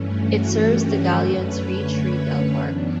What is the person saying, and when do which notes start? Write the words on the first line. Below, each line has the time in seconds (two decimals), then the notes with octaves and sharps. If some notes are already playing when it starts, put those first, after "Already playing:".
It serves the Gallions Reach Retail Park.
Already playing: G2 E3 A3 C#4
0.10 F#4
0.46 G4
0.80 A4
1.16 F#2 D3 A3 C#4 B4
1.52 C#5
1.87 B4
2.57 F#2 E3 B3 D4